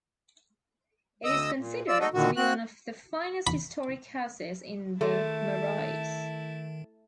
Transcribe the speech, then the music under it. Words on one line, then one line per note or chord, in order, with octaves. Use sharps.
It is considered to be one of the finest historic houses in the Marais.
D2 D#5 D#6 E6
A#2
F4 D5 E6
D#4 F#4 A4 D#5
A#2 D3 D#3 F#4
C4 F#4 F#6
B5
D#3 A3 E4 G#4 A4 A5 C6